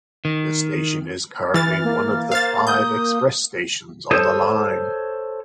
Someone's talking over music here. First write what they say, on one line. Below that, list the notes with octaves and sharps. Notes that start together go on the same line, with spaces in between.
The station is currently one of the five express stations on the line.
D#3
E3 F6 A6
A#3
C5 F5 A6
D#6 G6
A4 C5 C#5 D#6